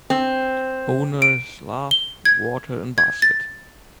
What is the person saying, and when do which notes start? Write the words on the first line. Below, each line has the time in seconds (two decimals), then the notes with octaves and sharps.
Owner’s love, water in basket.
0.10 C4
1.22 D7
1.91 G7
2.25 G#6
2.98 G#6
3.22 A6